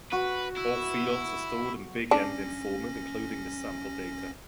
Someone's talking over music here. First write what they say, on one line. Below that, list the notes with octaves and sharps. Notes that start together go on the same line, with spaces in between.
All fields are stored in big-endian format, including the sample data.
F#4 B4
E4
C#4 D4 A#6